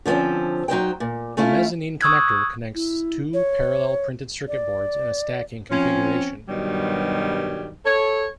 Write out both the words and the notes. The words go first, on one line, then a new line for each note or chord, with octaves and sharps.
A mezzanine connector connects two parallel printed circuit boards in a stacking configuration.
D3 F3 A#3 C4 C#4
F#3 D#4 C5 G5
A#2
A3 C#4 E4 F4
C#6 D#6 E6 F#6 G#6
E4
C#5
D5
F3 C4 C#4
G2 B2 D#3 F#3 G3
A4 C#5